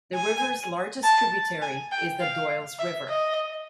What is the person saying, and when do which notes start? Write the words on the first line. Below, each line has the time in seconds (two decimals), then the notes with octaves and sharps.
The river's largest tributary is the Doyles River.
0.15 G#5
1.04 A5
1.62 G#5
1.92 G5
2.21 F5
2.79 E5
3.09 D#5